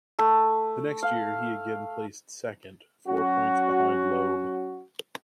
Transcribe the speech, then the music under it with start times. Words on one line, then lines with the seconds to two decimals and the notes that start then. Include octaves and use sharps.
The next year he again placed second, four points behind Loeb.
0.19 A3
1.03 F5
3.07 F#3 C#4 F#4